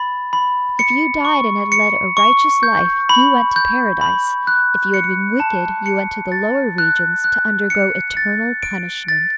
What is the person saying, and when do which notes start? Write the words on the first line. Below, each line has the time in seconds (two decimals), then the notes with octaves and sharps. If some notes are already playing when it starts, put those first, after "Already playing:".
If you died and had led a righteous life you went to Paradise; if you had been wicked you went to the lower regions to undergo eternal punishment.
Already playing: B5 A6
0.33 B5
0.79 C#7
1.25 C#6
1.72 C#7
2.17 C#6
2.63 G6
3.09 B5
3.56 G6
4.01 B5
4.47 F#6
4.94 C#7
5.40 A5
5.86 C#7
6.32 A6
6.78 F#6
7.24 F#6
7.70 C#7
8.17 A6
8.63 D7
9.08 A6